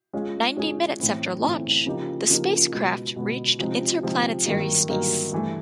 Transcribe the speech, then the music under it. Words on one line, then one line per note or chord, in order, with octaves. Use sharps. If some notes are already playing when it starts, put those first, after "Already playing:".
Ninety minutes after launch, the spacecraft reached interplanetary space.
G#3 C#4 F4 G#4
G#3 C#4 F4 G#4
A2 E3 A3 C4 E4
A2 E3 A3 C4 E4
C#3 F3 A#3 D#4 G4
C#3 F3 A#3 D#4 G4
B2 G#3 B3
B2 G#3 B3
C3 F3 G#3 C4 D#4
C3 F3 G#3 C4 D#4
G2 D#3 F#3 A#3 D#4
G2 D#3 F#3 A#3 D#4
G2 E3 A3